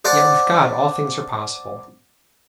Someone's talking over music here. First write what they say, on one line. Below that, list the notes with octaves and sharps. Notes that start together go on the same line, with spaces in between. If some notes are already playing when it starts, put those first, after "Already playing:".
Yet with God all things are possible.
C5 D5 F#5 A5